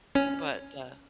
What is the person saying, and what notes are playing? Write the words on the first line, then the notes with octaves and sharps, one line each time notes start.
But, uh,
C#4